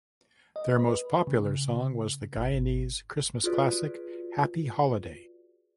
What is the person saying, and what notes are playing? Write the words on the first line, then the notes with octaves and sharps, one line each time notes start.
Their most popular song was the Guyanese Christmas classic "Happy Holiday".
D#5
B4
C#3
G#1
F4 F#4 G#4 B4 D5